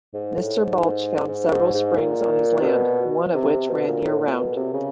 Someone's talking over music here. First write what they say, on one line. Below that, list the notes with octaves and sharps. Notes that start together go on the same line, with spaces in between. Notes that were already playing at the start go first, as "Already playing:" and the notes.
Mr. Balch found several springs on his land, one of which ran year-round.
G#2
A2
G#2
G#2
G#2
G#2
A#2
C3
B2
C3
C3
B2
A#2
A2
A#2
B2
C3
C#3